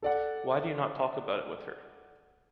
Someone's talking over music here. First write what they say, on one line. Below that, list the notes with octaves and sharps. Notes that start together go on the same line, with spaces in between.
Why do you not talk about it with her?
A4 D5 F#5